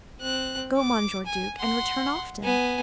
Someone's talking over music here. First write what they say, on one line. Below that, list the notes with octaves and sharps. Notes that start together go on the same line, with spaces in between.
Go, Monsieur Duke, and return often.
C4 F#6
D6
G#5
F#5 C6
B3 G#5